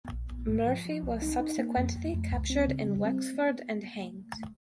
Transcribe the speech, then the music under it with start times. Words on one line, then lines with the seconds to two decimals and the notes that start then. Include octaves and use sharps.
Murphy was subsequently captured in Wexford and hanged.
0.12 A#1
0.30 A#1
0.48 G#2
0.67 F3
0.85 F3
1.03 C2
1.22 D#4
1.40 D#4
1.58 A#3
1.77 F2
1.96 F2
2.14 F2
2.32 C#2
2.50 C4
2.68 C#3
2.87 G3
3.05 C4